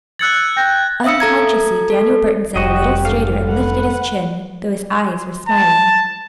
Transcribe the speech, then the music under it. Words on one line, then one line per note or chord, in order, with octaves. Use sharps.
Unconsciously Daniel Burton sat a little straighter and lifted his chin--though his eyes were smiling.
E6 F#6 G#6 A6 C#7 F#7
G5 G6 A#6
E5 F5 D#6 E6 C#7
A4 A#5 G#6
A4
F1 G3 F#4 G4 D#5
G#2 D3 A4 F5
B4 F#5
A5